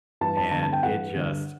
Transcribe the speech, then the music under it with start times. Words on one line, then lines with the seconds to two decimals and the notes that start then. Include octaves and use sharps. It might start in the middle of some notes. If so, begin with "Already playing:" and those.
and it just
0.21 G2 E3 A5
0.37 A5
0.52 D3 A5
0.57 G2
0.63 A5
0.73 G5
0.82 G2 E3 F#5
1.14 G2 D3